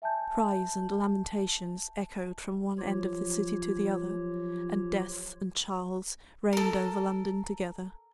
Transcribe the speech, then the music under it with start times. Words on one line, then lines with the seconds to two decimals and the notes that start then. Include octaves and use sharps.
Cries and lamentations echoed from one end of the city to the other, and Death and Charles reigned over London together.
0.02 E5 G#5 A5 G6
2.79 F3 F#3 F4 G4 C#5
6.53 A4 A#4